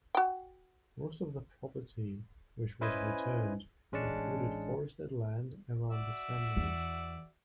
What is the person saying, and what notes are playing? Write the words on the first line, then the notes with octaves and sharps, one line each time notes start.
Most of the property which was returned included forested land around the seminary.
F#4 G5
C#4 E4 B4 C5 D#5 G#5
A1 G#3 C#4 D4 A5 C#7
F#4 D5 E5
E2 E3